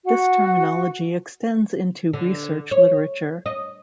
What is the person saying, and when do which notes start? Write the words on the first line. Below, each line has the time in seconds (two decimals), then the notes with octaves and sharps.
This terminology extends into research literature.
0.06 F#4 F#5
2.13 D3
2.71 C#5
3.46 D#5